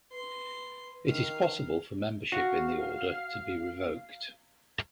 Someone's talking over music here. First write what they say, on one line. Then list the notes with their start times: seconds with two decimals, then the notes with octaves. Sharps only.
It is possible for membership in the Order to be revoked.
0.12 B4 C6
1.07 D#3 F5
2.32 F#4 F5